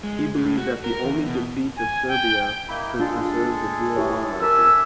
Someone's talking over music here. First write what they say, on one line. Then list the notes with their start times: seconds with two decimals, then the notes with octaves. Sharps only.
He believed that only the defeat of Serbia could preserve the Dual Monarchy.
0.03 G#3
0.36 A2
0.58 F#4
0.84 A#4
1.04 E2
1.27 B2
1.77 G#5
2.08 G5
2.69 A#3 D#4 E4 B5
2.99 G#3 D4 F4 G#4 A4
3.96 E4 G4 C#5
4.42 D4 A#4 E5 G#5 E6